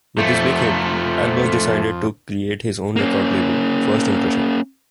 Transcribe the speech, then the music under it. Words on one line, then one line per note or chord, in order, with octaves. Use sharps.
With this big hit, Albers decided to create his own record label, First Impression.
F2 F3 A3
A#3 C#4